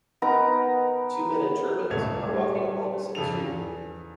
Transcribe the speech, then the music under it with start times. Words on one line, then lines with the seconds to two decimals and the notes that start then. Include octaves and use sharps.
Two men in turbans are walking along a city street.
0.22 B3 D#4 A#4 A#5
1.90 D#1 C#2 A3 G#6 F7
2.33 G3
3.15 F2 C#3 A4 F7
3.42 E2